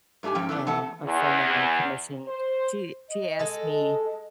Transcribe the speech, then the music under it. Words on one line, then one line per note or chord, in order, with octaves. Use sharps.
Um, a friend of mine commissioned she she asked me
G#2 A3 D4 G4 G#5
G#2 F3 C#4 G5
E3 A3 B3 D4
E3 A3 A4 F#5 A5
E2
C5
D#5
G#3 A4